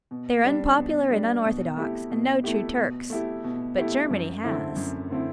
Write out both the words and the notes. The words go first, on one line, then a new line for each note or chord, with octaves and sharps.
They are unpopular and unorthodox, and no true Turks. But Germany has.
B2
G3 D4
B2
G3 D4
B2
A3 E4 G4
B2
A3 E4 G4
B2
A3 E4 G4
B2
A3 E4 G4
F#2
D3 A3 C4 E4
F#2
D3 A3 C4 E4